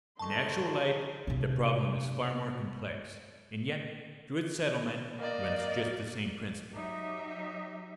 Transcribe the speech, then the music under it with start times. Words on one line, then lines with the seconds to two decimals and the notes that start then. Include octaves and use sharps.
In actual life the problem is far more complex, and yet, through its settlement runs just the same principle.
0.19 D3 D#3 A5 C6 C#6
1.27 C3 D4
5.18 A#3 D5 D#5
6.73 F#3 D#4 G4 E5